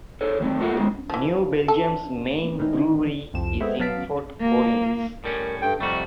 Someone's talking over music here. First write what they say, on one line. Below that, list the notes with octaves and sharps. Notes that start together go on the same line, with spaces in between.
New Belgium's main brewery is in Fort Collins.
G#4 A4 C#5
D#3 F#3 C4
F4 F#4 A4 A#4 E5 F#5
D#3 G#3 C4 E4 F#4 G#4
E3 F3
A4
A2 D#3 E3 D#4
C2 F2 F3 E7
G#3 A3 B3 C4 E4
F#3 B3 F5 A5 B6 D7
A#3
A2 G3 C#4 A#4
G2 A4 G5
F2 C3 G3 A3 F#4 C#6